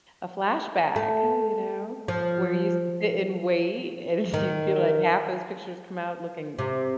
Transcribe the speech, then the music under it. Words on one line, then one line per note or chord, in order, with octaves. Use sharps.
a flashback, huh, you know, where you sit and wait, and you feel, like, half those pictures come out looking
A3
F3
D#3
C3